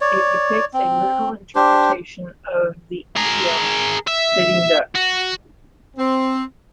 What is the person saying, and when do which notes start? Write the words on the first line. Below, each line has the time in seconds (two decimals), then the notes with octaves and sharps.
It depicts a literal interpretation of the idiom "sitting duck".
0.01 C#5 D5
0.74 C4
1.55 D4 G4 C5
3.16 G#4 A#4
4.08 E5
4.95 F#4
5.96 C4